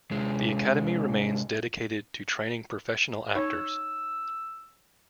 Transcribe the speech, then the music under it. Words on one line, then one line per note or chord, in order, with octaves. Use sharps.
The Academy remains dedicated to training professional actors.
C3 G#3
D#4 C#5 E6